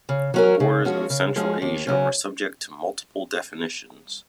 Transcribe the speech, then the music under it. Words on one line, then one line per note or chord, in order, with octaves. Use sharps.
The borders of Central Asia are subject to multiple definitions.
C#3
F#3 C#4 F#4 A#4
C#3
F3 G#3 C#4 F#4
C#3
F3 G#3 C#4 F#4
D#2
C#3 F#3 C#4